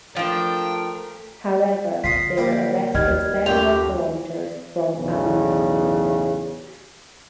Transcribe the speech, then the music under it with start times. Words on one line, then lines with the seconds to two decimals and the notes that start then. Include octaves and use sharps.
However, they were arrested several kilometers from Amul.
0.16 F3 A3 D4 F4 A#4 G5
2.04 D3 F4 D#5 B6 C7
2.37 G3 A#3 G4
2.95 D#2 G3 D#5 F6 G#6
3.46 F#2 A3 F4 G4 F7
4.98 B1 E2 A2 C#3